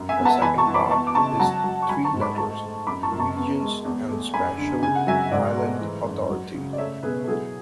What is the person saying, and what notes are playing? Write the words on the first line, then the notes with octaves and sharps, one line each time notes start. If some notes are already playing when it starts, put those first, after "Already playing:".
The second part is three letters: regions and special island authority.
Already playing: F#2
E5 G#5
B3
F#5 A5
E3 G#5 B5
A5 C#6
E3
B5 D6
B3 A5 C#6
D6
C#3 A5 C#6
F#3 F#5 A5
F#3
C#6
F#3 G#5 B5
A5 C#6
G#2
B5 D6
A3 A5 C#6
A3
F#2 B5 D6
A5 C#6
F#2
A5 C#6
B3
G#3
E2
A3
F#2 G#5 B5
D3
C#3 G#5
F#5
F#3 E5 G#5
G#2 D5 F#5
A3
E3
F#2
F#3
C#3
D5
A3 C#5 E5
B2 G#4 B4
A4
F#3 E4 G#4